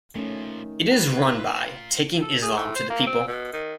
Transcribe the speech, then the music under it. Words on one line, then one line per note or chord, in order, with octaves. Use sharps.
It is run by Taking Islam to the People.
A#2 D#3 F3 A3 C#4
F4 A#4 B4
A4
G#4
A2
C5
A#3
C4
B2
D#3